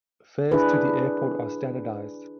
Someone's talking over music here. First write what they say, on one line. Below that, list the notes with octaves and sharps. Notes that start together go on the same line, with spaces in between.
Fares to the airport are standardized.
D4 E4 G#4 B4